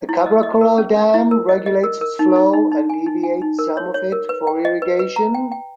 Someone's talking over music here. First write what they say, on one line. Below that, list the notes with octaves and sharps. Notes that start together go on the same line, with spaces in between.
The Cabra Corral Dam regulates its flow, and deviates some of it for irrigation.
E4
D#5
D#5
A#4
C#4
C#4
E4
A#4
D#5
D#5
A#4
A#4
D#4
D#4
D#4
D#4
G#5
D#4
G#5
D#4
A#4
C#5
C#5
A#4
B4
G5
D#5
B4
B4
A#5
G5
G5